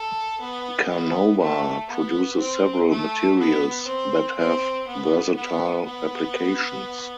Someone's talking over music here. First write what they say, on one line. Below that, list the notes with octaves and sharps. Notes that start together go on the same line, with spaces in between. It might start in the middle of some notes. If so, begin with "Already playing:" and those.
Carnauba produces several materials that have versatile applications.
Already playing: A4
B3
B3
A3
B3
C4
A3
B3
C4
C4
B3
B3
B3